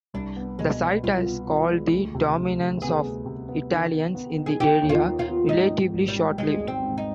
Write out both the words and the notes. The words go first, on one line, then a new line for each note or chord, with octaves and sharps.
The site has called the dominance of Italians in the area, relatively short lived.
C2 D4
B3
B2 G#3
B3
C2 F4
B3
B3
G#3
D2
C3
D2
D2
B3 G#4
D2
C3
B3
D#3
B3
B3
D#4
G#4
D#3 G4
D#2
F4
D#3
F4
B3
G#2 D#4
G#2
G#1
G3
G#2
G3 G#3
G#1
C4
G#2
D#4